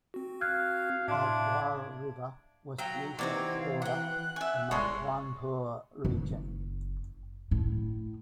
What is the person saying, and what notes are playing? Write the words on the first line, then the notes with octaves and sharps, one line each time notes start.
Adhwara river was the east border of Makwanpur region.
C4 F#4
F5 F6 F#6 G#6
A2 D4 E5 F5 C6 G#6
F#3 G5 A#5
C3 E3 C4 D#4 F#4 D5 A#5 G#6
F5
F#5 G5 F#6
E5 G#5
G1 A2 G#3 C#5 D5 C6
F#1
A2